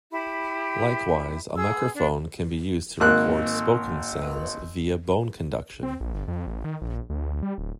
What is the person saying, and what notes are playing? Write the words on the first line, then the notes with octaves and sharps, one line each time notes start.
Likewise, a microphone can be used to record spoken sounds via bone conduction.
E4 G4 B5
G#4 E6
D4
G#1 A#3 F#6
C4
A#1
G1
F2
A1
D#3
A#1
D2
G3
D1